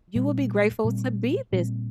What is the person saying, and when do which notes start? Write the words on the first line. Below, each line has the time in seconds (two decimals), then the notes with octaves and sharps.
you will be grateful to be this.
0.15 A#2 G3 C4
0.84 A#2 G3 C4
1.53 A#2 G3 C4